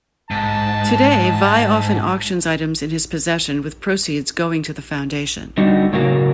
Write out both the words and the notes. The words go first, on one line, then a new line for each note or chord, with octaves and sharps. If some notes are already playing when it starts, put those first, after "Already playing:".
Today, Vai often auctions items in his possession with proceeds going to the foundation.
G#2 A5
D3 G3 D#4 F#4
A2 C#3 F#3 A#3 F#4